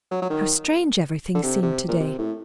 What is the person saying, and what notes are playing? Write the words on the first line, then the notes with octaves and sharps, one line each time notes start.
How strange everything seemed to-day.
F#3
F#3
D#3
D3
C3
C3
A#2
C3
A2